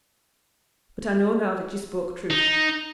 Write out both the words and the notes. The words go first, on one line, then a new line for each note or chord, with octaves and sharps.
But I know now that you spoke truth.
D#4